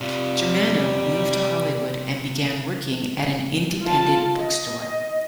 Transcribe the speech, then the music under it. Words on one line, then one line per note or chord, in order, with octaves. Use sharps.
Germano moved to Hollywood, and began working at an independent bookstore.
C3 G3 F4
F4 A5
D#5